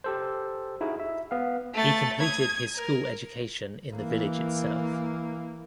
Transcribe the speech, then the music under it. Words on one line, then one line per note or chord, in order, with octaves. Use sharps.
He completed his school education in the village itself.
G4 A4 C5
D#4 E4 F#4 G#4
E5
B3 F5
A3 A6
D#6 G#6
A#4
E3 A#3